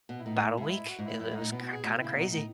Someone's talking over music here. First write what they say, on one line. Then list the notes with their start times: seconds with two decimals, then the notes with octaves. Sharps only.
'bout a week, it it was k kinda crazy.
0.09 B2
0.19 E4
0.26 A2 D#4
0.41 E4
0.57 G#2 E4
0.89 F#4
0.99 G#2
1.04 E4
1.09 A2
1.20 F#2 E4
1.31 G#2
1.36 D#4
1.41 A2
1.52 B2 B3
1.62 F#4
1.73 G#4
1.83 A2 F#4
1.94 B2
2.00 C#3 E4
2.15 B2 D#4
2.31 A2 D#4